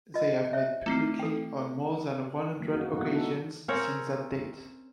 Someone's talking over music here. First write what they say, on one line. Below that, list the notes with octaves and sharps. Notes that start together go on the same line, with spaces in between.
They have met publicly on more than one hundred occasions since that date.
F4 D#5
C5 C#5 E5
A3 C4 E4 C7
A4 G5
F#3 A#3
C#4 D#4 F#4
B2 F#3 A3 E4 F#5
A3 D4 D#4 F#4 A4
C4 C#4 A#4 C#5